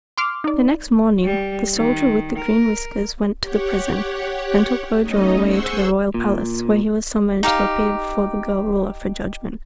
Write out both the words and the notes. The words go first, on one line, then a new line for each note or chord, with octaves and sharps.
The next morning the Soldier with the Green Whiskers went to the prison and took Ojo away to the royal palace, where he was summoned to appear before the girl Ruler for judgment.
C6 D6 F6
D#4 D5
G3
D#3
A#4
G4 C#5 F#5
A3 C#4 D#4 D#5
G#4 C5 F#5 C6 C#6 E6
A#2
D#4 G4 F5